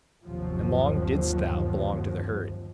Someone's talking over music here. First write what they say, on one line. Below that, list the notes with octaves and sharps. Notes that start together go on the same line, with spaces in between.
And long didst thou belong to the herd.
G1 D#2 C3 F3 F#3